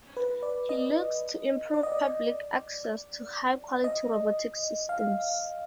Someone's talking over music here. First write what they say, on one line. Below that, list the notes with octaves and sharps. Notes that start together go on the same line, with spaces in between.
He looks to improve public access to high quality robotic systems.
B4
D5
D#5
D5
D#5
D5
D#5
F5